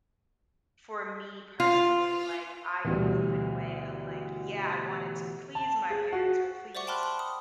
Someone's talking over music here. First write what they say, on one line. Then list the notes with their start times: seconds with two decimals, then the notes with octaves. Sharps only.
for me, personally, like, I grew up in a way of, like, yeah, I wanted to please my parents or please,
1.60 F4
2.85 D2 B2 E3 G3
5.55 A5
5.90 G#4
6.13 F#4
6.75 C5 D5 E5 F#5 C#6 D6
6.87 G5 A5 B5 C6 F6 F#6
7.03 B5
7.19 D#6